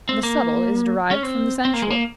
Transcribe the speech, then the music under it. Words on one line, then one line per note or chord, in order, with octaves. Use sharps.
The subtile is derived from the sensual.
C4
A#3
C#4
C4
C4
A#3
G#3
A#3